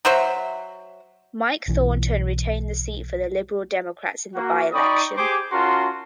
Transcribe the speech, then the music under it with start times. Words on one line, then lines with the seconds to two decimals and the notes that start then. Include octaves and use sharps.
Mike Thornton retained the seat for the Liberal Democrats in the by-election.
0.05 F#3 F#4 C5 E5
1.68 B1 E3
4.35 A#3 F#4
4.73 D#4 D5 G5 B5 C#6 D#6
5.16 G4 G#4 C5 D6
5.52 C#4 F4 F#4 A#4 A5 C6